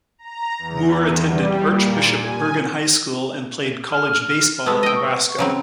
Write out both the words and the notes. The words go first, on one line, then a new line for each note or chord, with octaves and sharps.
Moore attended Archbishop Bergan High School and played college baseball at Nebraska.
A#5
E2
G3
A#2
G#5
F6
F6
G#3 A3 B3 E6
D#5 G5
C#6
C#3 F#3 C4